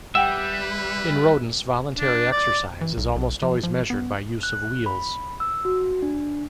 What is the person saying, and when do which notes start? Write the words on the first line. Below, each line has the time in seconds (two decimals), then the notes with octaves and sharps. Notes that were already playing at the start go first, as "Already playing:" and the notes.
In rodents, voluntary exercise is almost always measured by use of wheels.
0.15 G3 B4 E5 F#5 G5
1.98 D4
2.31 D5
2.81 E3
2.97 B1
3.16 B1
3.43 F3
3.63 F3
3.90 B3
4.43 F#6
4.86 B5
5.40 E6
5.65 F#4
6.02 D4